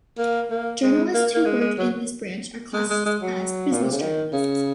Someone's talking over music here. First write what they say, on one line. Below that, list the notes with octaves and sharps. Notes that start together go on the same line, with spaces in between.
Journalists who work in this branch are classed as "business journalists".
A#3
A#3
G#3
A#3
A#3
G#3
G#3
F#3
G#3
G#3
G#3
F#3
A#2
C3
C#3
D#3
C#3